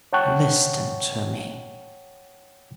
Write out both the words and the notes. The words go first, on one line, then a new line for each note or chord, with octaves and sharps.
'Listen to me.
C#5 F#5 G5 A5 C#6 F#6